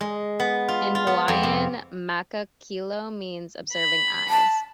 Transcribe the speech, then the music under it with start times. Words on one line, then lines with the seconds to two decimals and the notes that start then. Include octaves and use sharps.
In Hawaiian, "maka kilo" means "observing eyes".
0.01 G#3
0.40 B3
0.68 F4
0.95 F4
1.07 B3
1.28 F2
1.43 C3
3.73 B5
4.30 A5